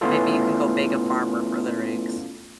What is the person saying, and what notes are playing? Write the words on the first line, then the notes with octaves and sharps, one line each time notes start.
Maybe you can go beg a farmer for their eggs,
A3 B3 C#4 E4 F4 A4